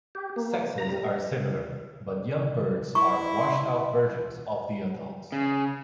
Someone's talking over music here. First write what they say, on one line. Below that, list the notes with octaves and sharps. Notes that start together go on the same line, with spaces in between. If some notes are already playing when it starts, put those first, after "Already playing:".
Sexes are similar, but young birds are washed-out versions of the adults.
G4
A#3
A#5
G3
E4 C#6
E5 C6
C#3